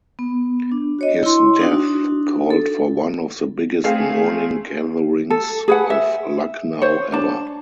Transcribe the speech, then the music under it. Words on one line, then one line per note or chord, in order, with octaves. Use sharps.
His death called for one of the biggest mourning gatherings of Lucknow ever.
B3
D4
F#4 C#5 D#5
E4 C6
D4 D#4 F#4
A4
A3 C4 G#4 F5
A4
G#4 B4 F#5
E5
C5 C#5
D4 A5